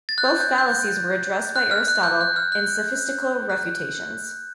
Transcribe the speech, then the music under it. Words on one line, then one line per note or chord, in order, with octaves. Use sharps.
Both fallacies were addressed by Aristotle in "Sophistical Refutations".
A6
F#6
G6
G6
G6
F#6
F6
F#6
G6
F#6
F6
F#6
F#6